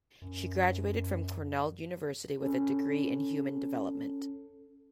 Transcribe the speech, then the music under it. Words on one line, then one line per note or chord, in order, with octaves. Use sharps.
She graduated from Cornell University with a degree in Human Development.
F#2
C#4 A4